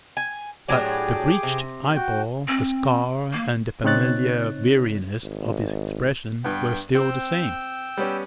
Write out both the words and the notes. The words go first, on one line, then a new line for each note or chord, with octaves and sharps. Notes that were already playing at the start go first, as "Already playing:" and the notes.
But the bleached eyeball, the scar, and the familiar weariness of his expression were still the same.
G#5
A2 F#3 D4 G4 G#4 D6
C3
F#4 G5
C4
A#3
C#3 C4 D#4 C#5 F#6 A6
G#1
G2 B3 G5
C4 G5 E6
G3 B3 C#4